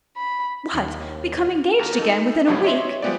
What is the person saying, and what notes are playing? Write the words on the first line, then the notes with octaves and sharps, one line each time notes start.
"What; become engaged again within a week!"
B5
D#2
D#2 A#4
D#4 A4
G1 C#2 A2 F#3 G3 C#4
C#5 D#5 E5 C6
F3 G3 G#3 B3 G4 D5